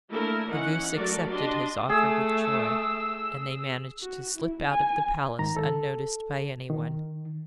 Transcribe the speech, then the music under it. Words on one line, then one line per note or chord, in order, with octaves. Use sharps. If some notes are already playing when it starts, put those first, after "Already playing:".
The goose accepted his offer with joy, and they managed to slip out of the palace unnoticed by anyone.
A3 A#3 D4 E4 A#4
E3 C#4 D#4 F#5
F#3 A3 F#4 A#4 D5
D4 G4 D#5 C6
A3 G#4 E6
F#4
E4
G#5
G#2 D#3 A#5
A4
D#3